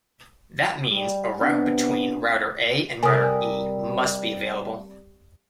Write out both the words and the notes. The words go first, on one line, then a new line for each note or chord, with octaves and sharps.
That means a route between router A and router E must be available.
G3
C3 B3 C4 D4
C3 G3 A#4 G#5 D#6